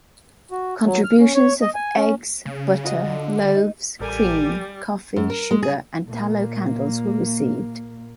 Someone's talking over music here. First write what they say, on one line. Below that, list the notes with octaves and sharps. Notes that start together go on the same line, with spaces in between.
Contributions of eggs, butter, loaves, cream, coffee, sugar, and tallow-candles were received.
F#4
F#3
F6
C#4
C#5
D#5
G#5
C#4
C#3
F4 F#4 D#5
D3
D#4
A1 G3 G4 A4 A#4 G#5
F#2
A#4
G#3
G#4
A#2 A#3